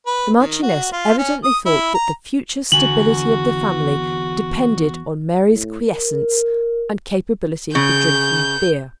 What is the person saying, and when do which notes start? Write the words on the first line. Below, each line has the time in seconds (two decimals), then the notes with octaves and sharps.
The Marchioness evidently thought that the future stability of the family depended on Mary's quiescence and capability for drinking beer.
0.06 B4
0.39 D#3
0.62 F#4
0.92 F4
1.18 C#4
1.44 D#6
1.66 E4
1.94 A#5
2.72 E2 D3 F#4 G#5 F#7
5.45 A2
5.92 A#4
7.75 C#3 G6